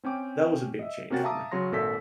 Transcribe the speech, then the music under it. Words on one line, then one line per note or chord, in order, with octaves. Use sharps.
that was a big change for me.
C4 C#4 G5 D6
D#5 E5
C3 A#3 C#4 F#4 G5 A6
E5 F5 A5 A#5 D6 D#6
C#3 F#3 C#5 C6 A#6
G#1 A#2 A4 E5 B6